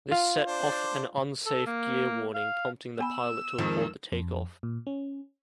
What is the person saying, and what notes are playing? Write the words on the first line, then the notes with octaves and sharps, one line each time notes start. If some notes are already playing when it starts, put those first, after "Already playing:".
This set off an "unsafe gear" warning, prompting the pilot to abort the takeoff.
F4 F5
D4 C5 D5
A4
A#3
F5
B3 G#5 B5 E6
F2 D#3 F3 G#3
F2
A#2
C#4